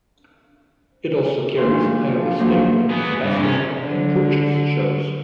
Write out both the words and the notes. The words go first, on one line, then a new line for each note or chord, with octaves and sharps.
It also carries Iowa State women's basketball and coaches' shows.
F#2 A#2 D#3 D4 F4 C6
F3 D4
D#3 F3 F#3 A3 A#3 D4
B3 G#4
G2 E3
C3 C#4
D3